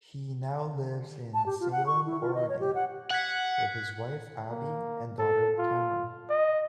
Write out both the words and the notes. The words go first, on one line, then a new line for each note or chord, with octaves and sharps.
He now lives in Salem, Oregon with his wife, Abby and daughter, Cameron.
A5
G4
F4
F#5
C#6
E4
F4
D#5
C#5
G4
F#5
F#5 F#6 G#6 B6
A#3
A4
F4
D#5